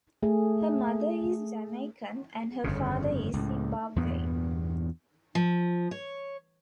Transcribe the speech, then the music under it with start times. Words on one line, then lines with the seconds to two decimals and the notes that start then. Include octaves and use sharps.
Her mother is Jamaican and her father is Zimbabwean.
0.23 A3 G#4
2.64 G1 F2 C#3
3.33 C#2 A2
3.96 E2 G2 A#2 B3
5.35 F3
5.91 C#5